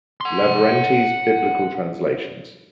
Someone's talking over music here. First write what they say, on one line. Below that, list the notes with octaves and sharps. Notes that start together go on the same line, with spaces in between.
Lavrentii's biblical translations.
F#5 C6